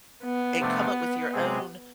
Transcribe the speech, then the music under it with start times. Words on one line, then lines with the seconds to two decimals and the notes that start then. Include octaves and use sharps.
and come up with your own
0.24 B3
0.60 C3 F3 A3 D4
1.33 C3 G#3 C4 G#4